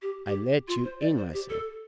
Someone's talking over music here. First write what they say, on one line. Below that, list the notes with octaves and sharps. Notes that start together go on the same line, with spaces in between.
I let you in myself.
G4
G4
F4
C5
D5
C5
G4
A4